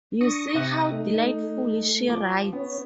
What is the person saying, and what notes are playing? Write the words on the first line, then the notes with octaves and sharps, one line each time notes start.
You see how delightfully she writes.
D4 C#6 D#6 A#6
C3 E5 F#6
A3 D#4
D#4
F3 D6
B3 C#4